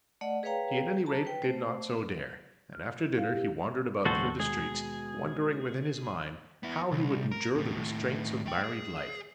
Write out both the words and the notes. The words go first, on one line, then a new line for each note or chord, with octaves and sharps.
He at any rate did not so dare;--and after dinner he wandered about through the streets, wondering within his mind how he would endure the restraints of married life.
A3 D5 D#5 F#5
G#4 B4 C#5 F5 G5 A#5
A5 A#5
B4 G5
A3 C5
F6
E4
F5
G4
D#2 A2 C#3 G3 F#4 A4 C5
B2 G#3 G#4
B3 E4
C2
A#4
D#2 A2
A3 G5
G#4